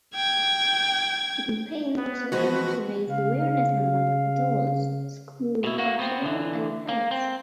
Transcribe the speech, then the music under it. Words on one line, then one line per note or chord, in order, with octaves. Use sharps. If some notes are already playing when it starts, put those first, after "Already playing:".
The campaign also aimed to raise awareness among adults, school personnel, and parents.
G5 G#6
B3 B4
E3 F3 G#3 F#4 B4
C#3 F5
B2 E4
A#3 F#4
B3 C4
D3 E3
A#3
C4